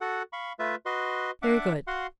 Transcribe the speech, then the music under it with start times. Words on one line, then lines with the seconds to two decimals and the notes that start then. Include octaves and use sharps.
"Very good."
0.01 F#4 A4 F#5
0.33 F5 B5 C#6
0.59 A3 F4 B4 E5
0.86 F#4 B4 D#5 C6
1.42 D4 E5 F#5 D6
1.87 F#4 F5 F#5 C6